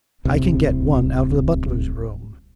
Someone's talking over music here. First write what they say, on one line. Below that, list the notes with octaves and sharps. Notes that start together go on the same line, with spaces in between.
I can get one out of the butler's room.
D1 C2 C3